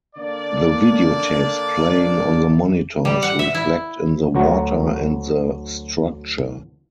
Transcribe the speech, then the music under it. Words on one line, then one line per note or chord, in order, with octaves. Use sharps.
The videotapes playing on the monitors reflect in the water and the structure.
D3 A#3 D4 D5
G3
F#5
E5
E4
D2 F#3 F#4 A#5